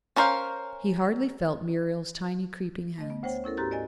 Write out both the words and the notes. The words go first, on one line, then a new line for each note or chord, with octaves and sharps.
He hardly felt Muriel's tiny creeping hands.
C#4 D4 A#4 C5 F5
A3 D#5
B3
D2 C5 C#5 G5
C#4 E4 A4 A#4
G#2 F#4 G4 A#5 A6
D5 D#5 G#5 A6